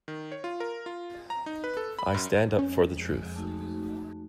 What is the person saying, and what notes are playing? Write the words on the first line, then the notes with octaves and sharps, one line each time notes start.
I stand up for the truth.
D#3
C#5
F4
A#4
F4
A#5
D#4
B4
A4
B5
F#2
F2 G#3 C#4
A3 D#4 F#4